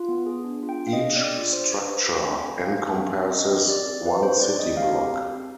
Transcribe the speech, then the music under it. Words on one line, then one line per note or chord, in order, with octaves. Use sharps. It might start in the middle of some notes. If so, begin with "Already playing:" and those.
Each structure encompasses one city block.
Already playing: F4
B3
G#4
D4
F4
G5
D4
F5
D#5
G#4
D4 D5
F4 D5
D4 C5
G#4 B4
G4 C5
G4 B5
C4 G#5
C4 G5
G4 F5
G4
C4
C4
C4 D#5
D#4
C4 D5
G#4
C4 B4
D#4 C5
C4 D5
G#4 D#5
G4 F5
G4
C4
C4